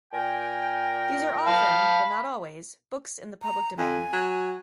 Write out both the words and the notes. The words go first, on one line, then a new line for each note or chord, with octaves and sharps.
These are often, but not always, books in the public domain.
A#2 A#4 G5 G#5
F5 A5 B5
A#5
F2 G#5
F#3